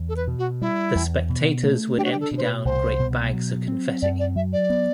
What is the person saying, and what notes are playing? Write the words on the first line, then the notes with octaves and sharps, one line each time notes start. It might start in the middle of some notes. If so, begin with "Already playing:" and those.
The spectators would empty down great bags of confetti.
Already playing: E2
A4
B4
B2
F#4
G3 E4
E2
B2
A3
D4 G4
F#4
G4
A4
B2
C5
B4
C2 C5
B2
F#3
C4
F#2 D5
D5
F#3 E5
D5
B3